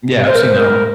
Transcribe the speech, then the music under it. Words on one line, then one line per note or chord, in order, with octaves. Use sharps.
Yeah, I've seen that one.
C5
A#4
C5
A#4